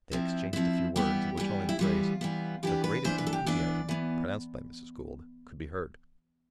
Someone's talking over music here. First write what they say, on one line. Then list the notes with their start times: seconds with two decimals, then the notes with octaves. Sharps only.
They exchanged a few words, of which only the phrase, "The greatest enthusiasm," pronounced by Mrs. Gould, could be heard.
0.12 F3 C4 E4
0.53 F3 C4 E4
0.96 E3 G3 B3 G4
1.37 E3 G3 B3
1.69 E4
1.79 E3 G3 B3 F4
2.21 E3 G3 B3
2.63 E3 B3 D4 G4
2.84 B4
3.04 E3 B3 D4 C5
3.18 B4
3.27 A4
3.33 G4
3.46 E3 B3 D4 D5
3.89 E3 B3